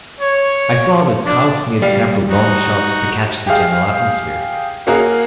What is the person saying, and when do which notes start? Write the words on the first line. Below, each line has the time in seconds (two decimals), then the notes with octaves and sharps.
I saw that Kauf made several long shots to catch the general atmosphere.
0.21 C#5
1.25 D4
1.82 G3 F5
2.28 D#4 F#4
3.47 G4 G#4 F5
4.87 A#3 C#4 F#4 G#4 A#4 F5